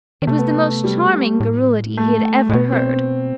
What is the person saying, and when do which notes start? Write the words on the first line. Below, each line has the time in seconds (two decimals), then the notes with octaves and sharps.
It was the most charming garrulity he had ever heard.
0.22 D#3
0.27 C3 A3
0.39 B3
0.51 A3
0.84 G3
1.40 A2
1.97 A3
2.49 A2
2.53 B2 B3
2.72 C4